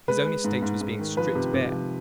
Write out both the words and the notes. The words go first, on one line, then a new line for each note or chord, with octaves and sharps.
His own estate was being stripped bare.
G#3 B4
G#3
G#2
G#2
G#2
D#3
F3 B4
C3
C3
F3